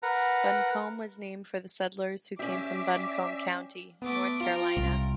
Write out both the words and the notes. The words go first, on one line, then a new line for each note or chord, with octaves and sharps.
Buncombe was named for the settlers who came from Buncombe County, North Carolina.
A#4 B4 F#5 A#5
C#4 G4 D5 E5 D6
A3 B3 D6
F4 A#4 G5
C2